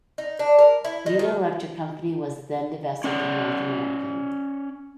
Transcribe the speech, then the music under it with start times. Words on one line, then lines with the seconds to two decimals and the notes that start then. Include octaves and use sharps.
Union Electric Company was then divested from North American.
0.18 D#4
0.39 D4
0.59 A#4
0.85 E4
1.06 D#4
1.19 D#3
3.04 C#4 D5 F#5